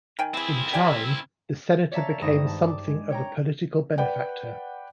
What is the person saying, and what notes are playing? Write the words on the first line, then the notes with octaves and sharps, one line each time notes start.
In time, the senator became something of a political benefactor.
D#3 G5 G#5
E3 C4 E4 G#4
G4 D5 G#5
C#5 D5 E5 F5 A5 A#5
G#1 G2 D#6 A#6 E7
A5
D6
G#3
C#5 G5 A#5
B4 D5 F#5 G5